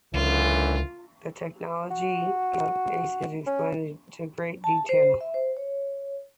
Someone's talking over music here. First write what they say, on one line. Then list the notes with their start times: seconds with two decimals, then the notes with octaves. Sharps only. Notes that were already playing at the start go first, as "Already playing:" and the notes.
The Technology of Arde is explored in great detail.
0.14 C#2 F#2 D3 E3 F4
1.91 F#4
3.46 C#4
4.64 A5
4.89 C5
5.21 E5
5.34 C5
5.57 C#5